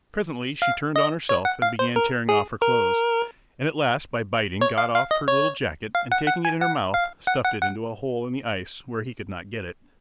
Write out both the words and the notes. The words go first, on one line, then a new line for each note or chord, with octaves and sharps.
Presently she turned on herself and began tearing off her clothes, and at last by biting got off her little jacket and taking it in her mouth stuffed it into a hole in the ice where he could not get it.
F5
D#5
C#5
F#5
F5
C5
A#4
G#4
A#4
C#5
F5
F5
D#5
C#5
F5
F#5
F#5
G#5
F#5
F5
F#5
F#5
F#5